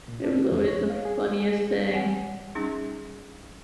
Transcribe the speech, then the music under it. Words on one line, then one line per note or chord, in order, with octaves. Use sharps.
It was always the funniest thing.
A#2
D4
D#4
F2
C#5
F5
G#4
G#3
G#4
E3 C4 C#5 F#5 G#5
G3 C#4 D#4 G#4